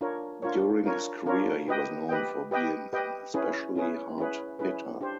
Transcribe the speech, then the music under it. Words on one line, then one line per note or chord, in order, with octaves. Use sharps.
During his career, he was known for being an especially hard hitter.
D4 F4 A#4 C#5
D4 F4 A#4 C#5
D4 F4 A#4 C#5
D4 F4 A#4 C#5
G4 B4 D#5 G5
G4 B4 D#5 G5
G4 B4 D#5 G5
G4 B4 D#5 G5
C#4 E4 G#4 B4
C#4 E4 G#4 B4
C#4 E4 G#4 B4
C#4 E4 G#4 B4
D4 G4 C5